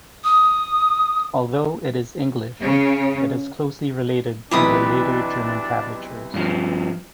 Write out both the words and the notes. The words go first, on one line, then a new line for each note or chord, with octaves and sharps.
Although it is English, it is closely related to the later German tablatures.
D#6
C#3
B1 C3 E3 D4 G4 B4 D#6
G2 F3